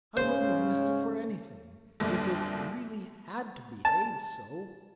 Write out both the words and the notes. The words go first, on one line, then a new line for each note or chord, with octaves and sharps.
"I wouldn't have missed it for anything--if it really had to behave so."
G#2 C#3 C#4 C5
G1 C2 F2 A#2 D3 G3
A5